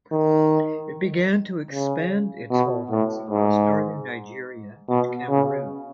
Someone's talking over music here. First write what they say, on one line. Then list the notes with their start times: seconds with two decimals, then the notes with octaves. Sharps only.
It began to expand its holdings across northern Nigeria and Cameroon.
0.12 D#3
1.71 C#3
2.51 B2
2.91 A2
3.31 G#2
4.89 B2
5.29 C#3